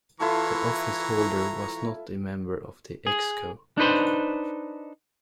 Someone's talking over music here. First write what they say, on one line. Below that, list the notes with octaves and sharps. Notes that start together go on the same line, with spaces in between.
The office holder was not a member of the ExCo.
E3 E4 F4 A4 A#5 C#6
G#4
D4 D#4 B4 C5